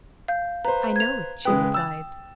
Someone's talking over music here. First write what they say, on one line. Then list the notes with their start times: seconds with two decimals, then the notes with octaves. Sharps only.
"I know it," she replied.
0.28 F5 G6
0.65 B4 C5 A#5
0.96 G#6 F7
1.45 C#3 G#3 B4 G5 D#6
1.74 E6 A6